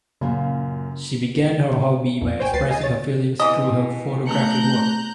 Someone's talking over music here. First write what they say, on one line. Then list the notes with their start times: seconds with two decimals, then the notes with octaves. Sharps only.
She began her hobby by expressing her feelings through her photographic work.
0.21 F#2 A#2 C#3 A#3
2.21 B1 F2
2.40 C5 C#5 G5 G#5
2.53 D2 B4 A6 C7
2.68 D#5 G#5
2.81 C#5 A6
3.40 B2 E3 D#5
4.27 A3 A#5 F#6 G6